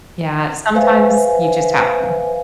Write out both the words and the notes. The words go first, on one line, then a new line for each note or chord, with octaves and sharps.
Yeah, sometimes you just have to.
B4 C5 E5 F5 G#5